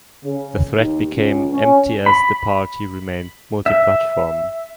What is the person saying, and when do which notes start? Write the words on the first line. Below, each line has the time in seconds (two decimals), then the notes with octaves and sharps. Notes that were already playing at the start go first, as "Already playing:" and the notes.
The threat became empty as The Party remained multi-platform.
0.23 C#3
0.76 D#2
1.14 C#2
1.52 C#4
2.06 B5
3.66 E5